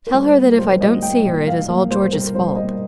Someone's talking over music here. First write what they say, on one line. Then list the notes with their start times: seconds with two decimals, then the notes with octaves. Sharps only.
Tell her that if I don't see her it is all George's fault.
0.07 A#4
0.14 G3 C5
0.37 A#3
0.52 A#4
0.58 G3 C5
0.81 A#2 D#5
1.02 G3 G5
1.25 A#2
1.47 G3 F5
1.69 A#3
1.91 G3 C5
2.13 G3 A#4
2.35 G3 C5
2.56 A#3 D#5